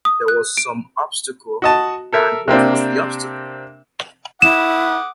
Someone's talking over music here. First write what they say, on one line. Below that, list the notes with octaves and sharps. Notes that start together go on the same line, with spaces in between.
There was some obstacle; and what was the obstacle?
D#6
F#6
D7
F#4 D#5 A5
A4 A#4 E5
C3 A#3 C4 D4
E4 F#5 D6 D#6 E7